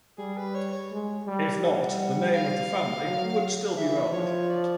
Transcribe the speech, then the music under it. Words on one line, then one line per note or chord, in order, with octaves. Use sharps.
If not, the name of the family would still be valid.
G3 G#4
B4
C#5
C#5
G#3
G3
G3 F#5
F5
F#3
E3 E5
F3 C#5
D5